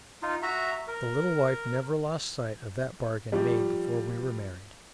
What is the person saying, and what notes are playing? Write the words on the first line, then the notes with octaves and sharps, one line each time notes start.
The little wife never lost sight of that bargain made before we were married.
D#4 F4
F#4 E5 A#5
A#4
F3 G3